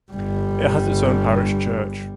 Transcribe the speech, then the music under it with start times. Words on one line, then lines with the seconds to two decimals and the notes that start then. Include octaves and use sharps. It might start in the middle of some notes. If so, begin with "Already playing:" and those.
It has its own parish church.
0.12 G1 G3